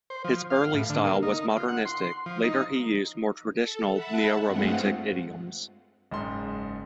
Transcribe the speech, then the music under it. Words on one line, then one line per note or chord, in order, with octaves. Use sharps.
His early style was modernistic, later he used more traditional neo-Romantic idioms.
C5
F3
F5
A2
D3
A#3
D#4
F4
F#5
C6
F3
D#4
A4
E5 F#5 A5 B5
G2 G#3 A3 C4 F4 F#5
F#1 G#2 C6